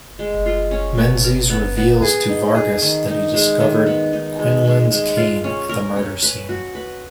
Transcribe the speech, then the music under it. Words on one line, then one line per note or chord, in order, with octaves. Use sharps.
Menzies reveals to Vargas that he discovered Quinlan's cane at the murder scene.
G#3
F4
C#4
B3
A#4
B3
B3
G#4
D#4
G#4
D#3
D#4
G#3
D#3
B3
D#4
G#3
G#3
G#3
F4
C#4
A#4
C#4
B4
F#4
B4